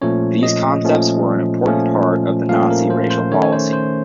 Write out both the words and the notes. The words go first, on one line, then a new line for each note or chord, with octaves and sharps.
These concepts were an important part of the Nazi racial policy.
A#2 F3 A3 C#4 C#5
D#5
A#2 F3 A3 C#4
A#2 F3 A3 C#4
A#2 F3 A3 C#4 F5
A#4
C5
C5
D#3 A3 C#4 C#5
C#5
C5
C5